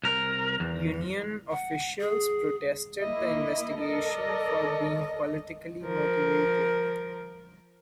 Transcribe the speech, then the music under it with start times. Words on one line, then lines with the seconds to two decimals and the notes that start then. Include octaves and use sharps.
Union officials protested the investigation for being politically motivated.
0.03 C2 A#4
0.60 E2
1.51 F#5
2.01 G#4
3.01 A#3 E4 D#5
3.81 A4 A#4 D5 D#5
5.84 F3 A#4